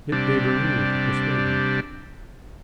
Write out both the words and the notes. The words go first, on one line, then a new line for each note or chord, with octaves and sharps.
Get de Berulle to persuade him.
C3 G3 D4